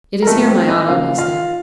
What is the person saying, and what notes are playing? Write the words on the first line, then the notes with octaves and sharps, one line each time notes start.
"It is here, my Otto," he said.
A#4
A2 F3 A3 C4 A4
C4 C5
D#4 D#5
C#3 F#3 A#3 C#4 F4 F5
F4 F5